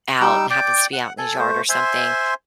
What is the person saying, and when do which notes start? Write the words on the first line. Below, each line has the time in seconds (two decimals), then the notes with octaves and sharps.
out and happens to be out in his yard or something.
0.21 G3 D#4 D6 E6
0.50 D5 G5 D6
0.93 F#5
1.18 A4 G#5
1.38 A3 C5
1.69 C5 E5 G#5 C6